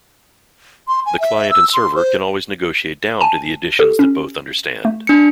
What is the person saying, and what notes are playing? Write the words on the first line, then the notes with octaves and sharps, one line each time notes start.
The client and server can always negotiate down to the additions that both understand.
C6
G#5
E5
E6
C6
C5
G#5 A5 D#7
G4 A4
C#4
A3
D4 C#7